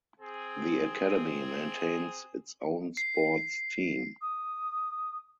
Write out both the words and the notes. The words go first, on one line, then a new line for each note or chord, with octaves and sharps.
The academy maintains its own sports team.
C4 G#4
C7
D#6